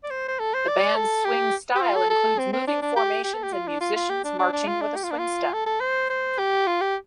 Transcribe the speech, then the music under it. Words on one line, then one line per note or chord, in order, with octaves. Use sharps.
The band's swing style includes moving formations and musicians marching with a swing step.
D5
C5
C5
A4
C5
D5
A4
G4
G4
F4
A4
A4
C4
C4
D4
D4
G4
G4
A4
G4
F4
D4
F4
F4
G4
D4
D4
D4
F4
D4
G4
F4
D4
F4
A4
A4
C5
C5
G4
F4
G4